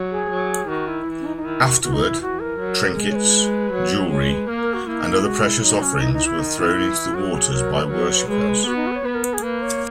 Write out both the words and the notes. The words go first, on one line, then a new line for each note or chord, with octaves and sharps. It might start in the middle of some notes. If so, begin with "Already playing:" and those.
Afterward, trinkets, jewelry, and other precious offerings were thrown into the waters by worshipers.
Already playing: F#3
G#4
F#3
D#3 F#4
E4
E3
C#4
D#4
D#4
D#3 E4
F#4
E3 F#4
D#4
E4
F#4
A#4
F#3
G#3
C#5
B4
F#3
G#3 C#5
B4
A#3 A#4
A#4
F#4
A#3 E4
D#4
E4
G#3 F#4
E4
F#3 D#4
C#4
E3 D#4
D#4
E4
D#3 D#4
E4
E3
F#3 F#4
G#4
F#3 A#4
B4
F#3 A#4
C#5
B4
G#3 B4
C#5
B4
B3 F#4
D#4
F#4
B4
C#5
B3 B4
A#4
B4
G#4
A#3 B4
C#5